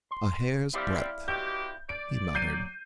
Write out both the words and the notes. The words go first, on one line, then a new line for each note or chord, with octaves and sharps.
"A hair's-breadth," he muttered.
C6
G3 C4 E4 D5 F5
B2 G#3 G4 G6
D5 D7
F#3 G6 C7 D#7